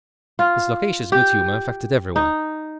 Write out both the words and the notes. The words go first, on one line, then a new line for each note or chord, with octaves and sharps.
His loquacious good-humour infected everyone.
F4
G4
D#4